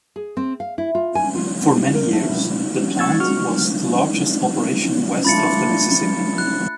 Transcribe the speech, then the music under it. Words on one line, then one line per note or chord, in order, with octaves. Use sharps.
For many years, the plant was the largest operation west of the Mississippi.
G#4
C4
F5
E4
F4
G#5
F4
C4
G3
A#4
A3
B2
C#6 E6 G#6 A6
G#3 F#4 C#6 F6
A3 D4 F4 B5 A6 C#7
F#6